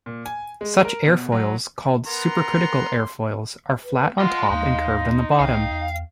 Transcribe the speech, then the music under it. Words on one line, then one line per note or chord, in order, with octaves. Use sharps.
Such airfoils, called supercritical airfoils, are flat on top and curved on the bottom.
A#2
G#5
G#3
A#4
B2
F#3
B3 A#4 A#5 C6
B4
F4 D#5 F#5 C6
D#2 D#4 F5
C2 F5 G5
E2